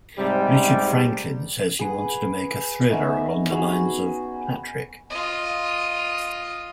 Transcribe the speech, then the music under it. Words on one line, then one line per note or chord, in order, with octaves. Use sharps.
Richard Franklin says he wanted to make a thriller along the lines of "Patrick".
G#2 C3 G3
G#4 B4 F#5
B3 C#4 D#4 E5
D#4 F#4 G#4 B5
F4 D#5